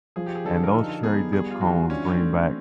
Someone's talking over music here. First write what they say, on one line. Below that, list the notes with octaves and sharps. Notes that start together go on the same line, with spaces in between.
And those cherry-dip cones bring back
F3 G#4
G4
G#4
D3 A4
A#4
D#4 A4
B3 G#4
G3 G#4
F4
E3 F#4
C#4 D4
C4
A3 C#4